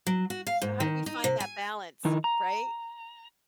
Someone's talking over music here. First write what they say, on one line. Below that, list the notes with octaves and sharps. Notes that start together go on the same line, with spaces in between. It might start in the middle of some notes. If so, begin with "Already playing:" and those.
So how do we find that balance, right?
F#3
F#4
F5
G#2
D#3
D#4
C3
G#5
D#3 D#4 E4
A#5